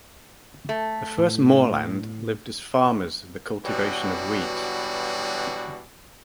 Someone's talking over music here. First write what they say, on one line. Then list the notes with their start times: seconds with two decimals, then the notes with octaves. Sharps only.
The first Moorland lived as farmers of the cultivation of wheat.
0.69 A3
1.18 A2
3.65 B2 E3 F#3 G3 D4 F#4